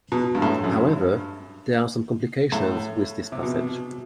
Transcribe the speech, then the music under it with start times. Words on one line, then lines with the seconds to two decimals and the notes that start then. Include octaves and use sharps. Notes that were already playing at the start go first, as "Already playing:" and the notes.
However, there are some complications with this passage.
0.12 B2
0.35 G2
0.42 A2
0.64 F#2
0.72 G2
2.52 A2
3.32 C3
3.43 B2